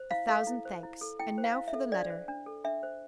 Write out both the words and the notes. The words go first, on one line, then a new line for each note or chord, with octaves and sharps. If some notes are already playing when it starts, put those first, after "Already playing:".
"A thousand thanks--and now for the letter."
Already playing: C5
E4 F5
A4 F5
E4
C5
E4
A4
E4 G5
C5
F5
E4
E5
A4
D4 D5
C5
D4
A4
D4 E5
C5